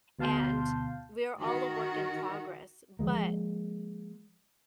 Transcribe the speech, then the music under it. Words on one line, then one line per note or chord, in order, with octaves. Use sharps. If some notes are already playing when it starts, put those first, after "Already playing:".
and we are all a work in progress, but
D2 B2 F5 A5 C6 G6
D#3 F#4 A#4
F3 F#3 G#3 A#3